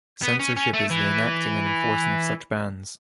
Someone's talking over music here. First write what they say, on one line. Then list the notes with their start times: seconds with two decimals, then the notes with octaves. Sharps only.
Censorship is the enacting and enforcing of such bans.
0.23 B3
0.40 C#4
0.57 C#4
0.73 A3
0.90 E3